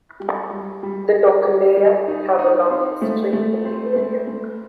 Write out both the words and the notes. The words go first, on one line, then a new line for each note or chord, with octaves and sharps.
The Tokaleya have a long history in the area.
G3
G3
G3
G3
G3
G3
D#4
D#4
C4
A3
A3
C4
A3
A3